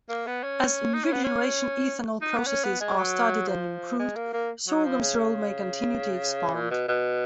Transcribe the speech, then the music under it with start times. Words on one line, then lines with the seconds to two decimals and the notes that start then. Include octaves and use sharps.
As new-generation ethanol processes are studied and improved, sorghum's role may continue to expand.
0.09 A#3
0.27 B3
0.44 C#4
0.94 D#4
1.04 C#4
1.13 B3
1.24 C#4
2.22 D#4
2.38 B3
2.47 C#4
2.64 B3
2.80 G#3
2.98 F#3
3.48 F3
3.99 G#3
4.16 A#3
4.33 A#3
4.67 F#3
4.85 F3
5.01 C#3
6.54 A#2
6.71 B2
6.88 B2